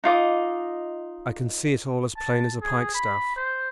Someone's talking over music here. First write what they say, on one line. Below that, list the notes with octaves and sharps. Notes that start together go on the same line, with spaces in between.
I can see it all as plain as a pikestaff.
D#4 F4 D#5 D6
A5
G#4
B5
C5